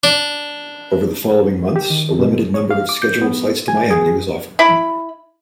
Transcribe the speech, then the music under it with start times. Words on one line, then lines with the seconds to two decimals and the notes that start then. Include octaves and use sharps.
Over the following months, a limited number of scheduled flights to Miami was offered.
0.03 D4
1.76 G4
1.90 D#3
2.19 B2
2.54 C#5
2.71 F5
2.89 D6
3.02 G6
3.22 B3
3.68 G#5
3.91 G#4
4.59 E4 B5